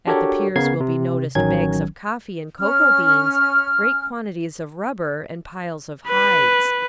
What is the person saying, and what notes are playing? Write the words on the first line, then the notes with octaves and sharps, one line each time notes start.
At the piers will be noticed bags of coffee and cocoa beans, great quantities of rubber and piles of hides.
D4 F#4 G4 A4 A#4 C#5
C#3 B3 A#4 G#6 C7
C3
A1 D#3 F#3 C#4 G#6
C#4 F6
B4